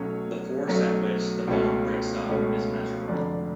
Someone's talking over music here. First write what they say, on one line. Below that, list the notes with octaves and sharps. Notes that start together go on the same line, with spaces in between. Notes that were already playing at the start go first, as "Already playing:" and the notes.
The force at which the bond breaks up is measured.
Already playing: B1 B2 F#3 A3 C#4 C#5
B1 B2 F#3 A3 C#4
C#2 B2 A3 C#4
C#2 B2 A3 C#4
F1 F2 D3 D5